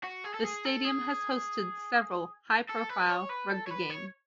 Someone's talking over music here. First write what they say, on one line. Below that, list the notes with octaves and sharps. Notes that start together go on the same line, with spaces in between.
The stadium has hosted several high profile rugby games.
F#4
G#4
A4
G#4
A4
G#4
A4
B4
C#5
B4
A4
C#5
B4
C#5